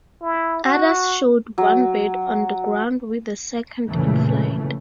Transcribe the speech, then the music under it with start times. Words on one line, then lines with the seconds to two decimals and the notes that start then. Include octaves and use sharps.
Others showed one bird on the ground with the second in flight.
0.22 E4
0.63 F#4
1.58 F#3
3.89 F2 A#2 C#3 E3 A3